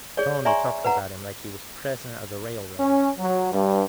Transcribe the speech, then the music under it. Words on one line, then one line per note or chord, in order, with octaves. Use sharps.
Tony talks about him like he was president of the railroad.
G#4 C#5 D5
D5 E5 G#5 A#5 C6 C#6
B4 F#5 A#5
C#4
F#3
G2